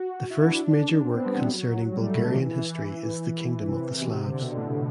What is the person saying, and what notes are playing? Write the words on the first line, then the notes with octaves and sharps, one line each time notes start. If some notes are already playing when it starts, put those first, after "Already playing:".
The first major work concerning Bulgarian history is the Kingdom of the Slavs.
Already playing: F#4
F#4
E4
D4
D4
C4
B3
G3
E3
F#3
G3
A3
B2
D3
E3
E3
C3
C3
B2
C3
D3
B2
A2